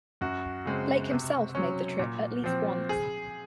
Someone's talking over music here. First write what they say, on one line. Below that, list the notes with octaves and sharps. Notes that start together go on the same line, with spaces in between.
Blake himself made the trip at least once.
F#2 F#4
C#3 G#3 C4
C3
F#3 C#4
A#2
F3 C4
G#4